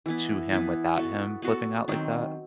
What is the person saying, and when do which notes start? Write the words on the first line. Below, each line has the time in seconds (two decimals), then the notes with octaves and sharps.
to him without him flipping out like that?
0.06 E3 B3 E4
0.52 E3 B3 E4
0.97 B3 F#4 A4
1.42 B3 F#4 A4
1.88 D#3 F#3 C4